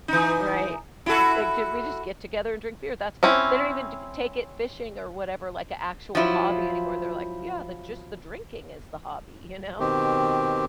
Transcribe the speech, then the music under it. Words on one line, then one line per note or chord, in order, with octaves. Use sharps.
Right, "Ac act we just get together and drink beer, that's" they don't even t take it fishing or whatever, like, a actual hobby anymore, they're like, "Yeah, the just the drinking is the hobby." You know?
E3 D#4
E4 F#4 A4
C4 C#4 E4
F3 F#3 E4 F4
B2 D#3 C4 G4